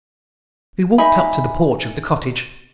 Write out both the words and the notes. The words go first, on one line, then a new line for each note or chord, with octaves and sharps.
We walked up to the porch of the cottage.
D#4 E5 G#5 B5